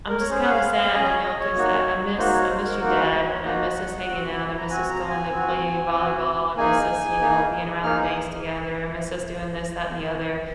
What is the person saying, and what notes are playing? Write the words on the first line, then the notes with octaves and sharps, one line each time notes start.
I'm just kinda sad, you know, 'cause I I miss I miss your dad, I miss us hanging out, I miss us going to play volleyball, I miss us, you know, being around the base together, I miss us doing this, that and the other,"
A#4
C#5
C#4 G#4 C5
F#5
F5
F5
C#4 G#4 D#5
C#5
D#5
C#5
A#3 D#4 F#4
A#3 D#4 F#4 C5
C#5
C5
A#4
A#3 D#4 F#4 A#4
C5
D#5
C#5
A#3 D#4 F#4 D#5
F#5
C4 F#4
A#5
C4 F#4 G#5
A#5
G#5
C4 F#4
C4 F#4
A#3 D#4 G#4 G#5
A#3 D#4 G#4
A#3 D#4 G#4 F6
D#6